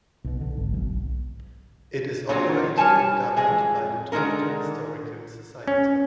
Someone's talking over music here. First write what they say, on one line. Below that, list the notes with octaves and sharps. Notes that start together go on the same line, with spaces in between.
It is operated and governed by the Tofte Historical Society.
B1 B2
D3
G#1
B1
A#2 D3 F#3 C4
G3 C#5 G#5 A5
F2 G#3 G#5
D3 D#3 G#3 C#4 A#4
C#4